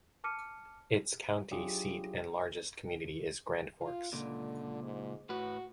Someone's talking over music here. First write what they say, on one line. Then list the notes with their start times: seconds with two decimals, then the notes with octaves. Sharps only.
Its county seat and largest community is Grand Forks.
0.24 A5 D6 F6 C#7 D#7
1.51 F#3 D4 E4 F4 G4 G#4
3.81 F4
4.13 C#2 A#2 D3
4.83 G#2
5.30 A2 F#4 B4